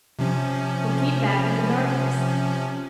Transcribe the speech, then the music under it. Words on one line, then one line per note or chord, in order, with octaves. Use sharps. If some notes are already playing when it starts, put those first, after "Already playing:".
We'll keep back in the darkness.
C3 F3 C#4